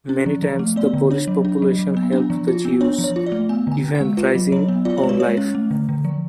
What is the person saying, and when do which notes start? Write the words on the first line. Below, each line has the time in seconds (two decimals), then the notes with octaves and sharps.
Many times, the Polish population helped the Jews, even rising own life.
0.09 C#4
0.26 F3
0.43 F3
0.59 A3
0.76 B3 D5
0.94 D3
1.11 D4 C#5
1.28 F#3
1.45 D4
1.62 F#3
1.79 F#3
1.97 B3
2.12 D4
2.30 F3
2.48 F4
2.65 B3
2.81 D4 C#5
2.98 F3
3.04 C#5
3.16 F4
3.26 D5
3.32 A3
3.49 B3 G#5
3.67 D3 G#5
3.84 D3
3.95 F#5
4.01 G#3
4.17 F4 B4
4.35 F#3
4.52 F#3 C#5
4.68 B3
4.85 F4 D5
4.98 C#5
5.03 G#3
5.09 B4
5.20 G#3 C#5
5.37 C#4
5.55 A3
5.71 D3
5.89 D3
6.05 F3